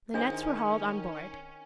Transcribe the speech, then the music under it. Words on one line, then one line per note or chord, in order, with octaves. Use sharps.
The nets were hauled on board.
D#3 C#4 D4 G#4 C5 D#5 G#5